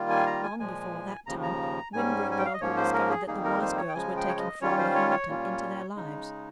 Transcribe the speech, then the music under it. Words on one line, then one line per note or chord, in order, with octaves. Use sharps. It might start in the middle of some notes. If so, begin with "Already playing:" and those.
Long before that time Winboro girlhood discovered that the Wallace girls were taking Florrie Hamilton into their lives.
Already playing: D#3 G3 A#3 F4
G#5
A#5
G#5
A#2 F3 G#3 G#5
D#2 C#3 F3 A#5
A#5
G#2 G3 C#4 G#5
G#5
G5
F5
D#5
G#2 F3 A#3 C#4 C#5
C5
A#4
G#4
F2 D#3 G3 A#3 D#4 G#4
A#4
C5
C#5
G5
C#3 F3 G#3 G#5
G5
C#5
D#5
D#3 G3 C#4 F4 C#5
C5
C#5
C#5
A#2 G3 A#3 C#4 F4
C#3 G#3 D#4